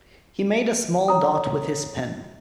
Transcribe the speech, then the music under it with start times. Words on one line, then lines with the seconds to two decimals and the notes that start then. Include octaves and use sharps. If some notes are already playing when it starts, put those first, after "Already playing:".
He made a small dot with his pen.
1.08 C#5 A#5 D#6